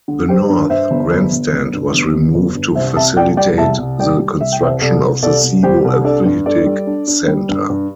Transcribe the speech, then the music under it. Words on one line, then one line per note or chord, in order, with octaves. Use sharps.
The north grandstand was removed to facilitate the construction of the Sebo Athletic Center.
D3
D3 G4 C5
G2
G2 C5 E5
G1
G1
G1
G1
G2
G1
G1
G1
G2
C2 C5 E5
C3 E5 A5
C2 D5 G5
G3 D5 G5
C2 E5 A5
C2
G3 D5 G5
G3
C2 E5
G5
C2 C5 E5
C2 A4 D5
C2
C2 A4 D5
C2
G3 G4 C5
C2
D4 A4 D5
G2
G2 A4 D5
G3
D4
D4
G3
G2
G2